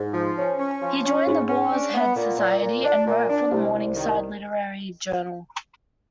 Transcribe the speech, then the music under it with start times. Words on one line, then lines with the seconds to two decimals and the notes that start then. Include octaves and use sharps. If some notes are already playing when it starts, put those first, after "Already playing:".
He joined the Boar's Head Society and wrote for the "Morningside" literary journal.
Already playing: G#2
0.14 F3
0.37 C#4
0.59 C#4
0.82 F3
1.04 C#4
1.26 G#2
1.49 C#4
1.72 D4
1.94 B3
2.16 A#2
2.39 A#2
2.62 A#2
2.84 D4
3.07 A#2
3.29 D4
3.51 C2
3.74 C2
3.97 D#3